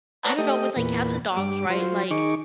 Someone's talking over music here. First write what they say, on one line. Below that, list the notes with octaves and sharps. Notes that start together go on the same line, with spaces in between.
I don't know with, like, cats and dogs, right, like,
B4 C#5 D5 F#5 A5 A#5
A3 G4 D#5
E2 A#2 B4
G2 G3 D6
F#3 F4 C5
D#3 D#4 G#4 C#6 D6